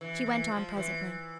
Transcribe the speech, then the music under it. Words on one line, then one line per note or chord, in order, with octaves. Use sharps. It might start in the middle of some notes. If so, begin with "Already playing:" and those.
She went on presently.
E3
E3
F3
E3